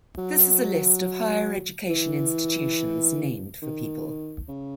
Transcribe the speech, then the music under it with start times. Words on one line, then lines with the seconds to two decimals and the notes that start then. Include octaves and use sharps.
This is a list of higher education institutions named for people.
0.18 F#3
1.90 E3
3.62 D#3
4.48 C#3